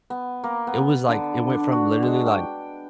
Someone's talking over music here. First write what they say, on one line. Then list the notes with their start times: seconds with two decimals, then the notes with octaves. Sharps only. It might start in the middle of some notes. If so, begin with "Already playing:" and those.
it was like it went from literally, like
0.10 B3
0.44 A#3
0.67 B3
1.08 D3
1.50 D4
1.72 F#4
2.02 G#3
2.27 G5